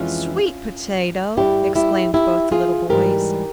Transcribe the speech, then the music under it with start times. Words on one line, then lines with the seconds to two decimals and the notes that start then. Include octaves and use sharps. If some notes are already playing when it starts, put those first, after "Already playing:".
"Sweet potato!" exclaimed both the little boys.
Already playing: F2 E3 G#3 C#4 F4
1.37 G2 G3 E4 G4
1.75 E4 G4
2.14 E4 G4
2.52 F4 G#4
2.89 G#2 E3 G3 G4 A#4